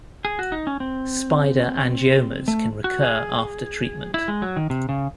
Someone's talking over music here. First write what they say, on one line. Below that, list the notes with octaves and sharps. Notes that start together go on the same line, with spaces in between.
Spider angiomas can recur after treatment.
G#4
F#4
D#4
C#4
C4
A3
F#4
G#4
E4
G#3
F#3
D#3
C3
C#3